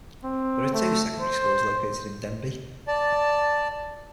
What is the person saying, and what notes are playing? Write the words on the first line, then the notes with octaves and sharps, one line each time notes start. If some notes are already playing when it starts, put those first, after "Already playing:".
There are two secondary schools located in Denbigh.
C4
A3
C5
D5 A5